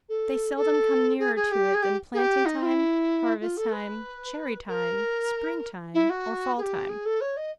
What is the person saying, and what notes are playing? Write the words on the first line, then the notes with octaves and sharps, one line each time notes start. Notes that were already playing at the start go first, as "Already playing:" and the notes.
They seldom come nearer to it than planting-time, harvest-time, cherry-time, spring-time, or fall-time.
A4
A4
G#4
G#4
G4
G#4
G4
G#4
G4
D#4
F4
E4
F4
A4
B4
A#4
E4
F#4
G#4
G4
G#4
A4
C#5
D#5